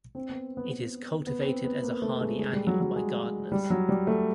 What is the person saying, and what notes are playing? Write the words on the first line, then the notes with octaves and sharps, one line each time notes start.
It is cultivated as a hardy annual by gardeners.
C4
B3
B3
B3
B3
C4
B3
A#3
A3
G#3
G#3
G3
F#3
F#3
G#3
G3
F#3
G3
A3